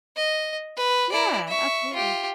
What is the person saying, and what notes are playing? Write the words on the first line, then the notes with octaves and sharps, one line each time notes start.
Yeah, absolutely.
D#5
B4
E4 D5
E5 C#6
F4 G4